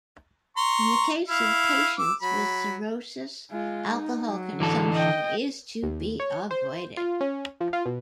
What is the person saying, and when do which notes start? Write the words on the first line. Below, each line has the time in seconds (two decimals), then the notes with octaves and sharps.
In the case of patients with cirrhosis, alcohol consumption is to be avoided.
0.57 A#5 C6 C#6
1.28 E4 F5
1.99 D6 E6
2.22 F#3 B5
3.51 G#3 F4
3.94 D#4
4.28 F#3
4.60 D3 E3 A4
4.94 D#5 G5
5.83 D#2
6.20 C#5
6.51 C5
6.97 F4
7.21 C#4
7.61 F3
7.73 F4
7.86 B2